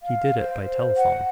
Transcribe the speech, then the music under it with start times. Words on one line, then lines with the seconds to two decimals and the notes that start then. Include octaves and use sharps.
He did it by telephone.
0.03 F5
0.39 C5
0.97 F#5